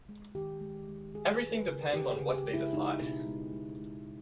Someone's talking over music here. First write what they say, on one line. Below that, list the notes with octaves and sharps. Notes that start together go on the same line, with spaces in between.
Everything depends on what they decide.
G#3
D#3 G4
G#3
G#3
G#3 G#4
B4
G#3
A#4
B4
C#3
A#4
G#3 G4
G#4
C#3
G4
G#3
E4
G#3 D#4
B2
G#3
G#3
G#3